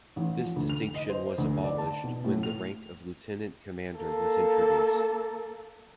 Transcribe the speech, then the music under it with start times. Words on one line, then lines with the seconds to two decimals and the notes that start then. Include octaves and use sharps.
This distinction was abolished when the rank of lieutenant commander was introduced.
0.16 A1
0.39 F3
0.56 D2
0.70 F7
0.94 D#5
1.09 C5
1.38 D2
1.64 D5
1.78 A5
2.04 B2
2.25 A2
2.43 F7
3.99 A#3 A4